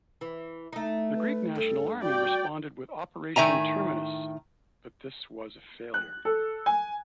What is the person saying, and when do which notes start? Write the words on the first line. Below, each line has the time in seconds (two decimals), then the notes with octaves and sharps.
The Greek National Army responded with Operation Terminus, but this was a failure.
0.21 E3
0.73 A3 D#4
1.14 B4
1.55 G2 A4
2.02 F#4 D5 G5
3.36 A2 D#3 E5 G#5 A#5
5.94 F#6
6.25 A4
6.66 G#5